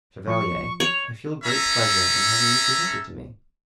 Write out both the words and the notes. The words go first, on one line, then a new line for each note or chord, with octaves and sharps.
Chevalier, I feel great pleasure in having you presented to me!
F3 C#6
C#5 F7
C#4 A4 E5 A#5